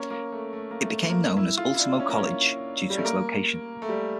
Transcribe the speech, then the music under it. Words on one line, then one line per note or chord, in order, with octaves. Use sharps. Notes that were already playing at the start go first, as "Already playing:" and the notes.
It became known as Ultimo College, due to its location.
Already playing: A#3 C#4
A#3
A3
A3
A#3
A3
A#3
E4
F4
E4
D4
C#4
A#3
C#4
G3
A3
A#3
A3
G3